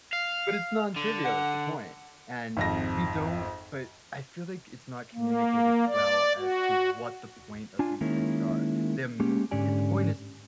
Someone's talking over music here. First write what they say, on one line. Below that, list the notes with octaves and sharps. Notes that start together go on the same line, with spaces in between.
but it's nontrivial, is the point, and we don't but, I feel like it's not communicated well as to what the point of these things are. Their m it The point is
F5
D3
F#5
G#1 F2 A#6
A#3
D5
F#4
D4 F4 G#5
D#3 G#3 A#3 C#4 E4
G#3 A#3 C#4 G4
G#2 D3 C#4 G4 D5 G#5